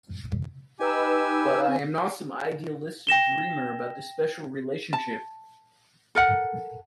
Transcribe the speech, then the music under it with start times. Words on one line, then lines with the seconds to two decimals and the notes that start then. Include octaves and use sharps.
But I am not some idealistic dreamer about the special relationship.
0.80 D#4 G4 B4 G#5 E6
1.65 C4 G#5
3.07 G5 A#6 E7 G7
4.93 A5
6.15 A4 A#4 F#5